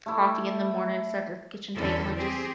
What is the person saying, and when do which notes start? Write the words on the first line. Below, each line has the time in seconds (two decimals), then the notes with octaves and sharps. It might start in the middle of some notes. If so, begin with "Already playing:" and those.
coffee in the morning, instead of the kitchen table and just
0.06 A3 E4
1.76 E2 D3 C#4 A4
2.15 C4 G4 G#4